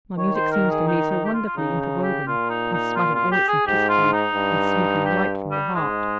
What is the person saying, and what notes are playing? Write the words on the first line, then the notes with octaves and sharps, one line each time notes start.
My music seems to me so wonderfully interwoven, in spite of all its simplicity, and speaking right from the heart.
D#3 C#5
C5
A#4
G#4
D#4
D#4
G4
F4
F4
C#3 D#4
D#4
G4
A#2 F4
D#4
D#4
F4
F4
G4
G#4
G#2 G4
F4
D#4
G2
G4
G3
G#2 G#3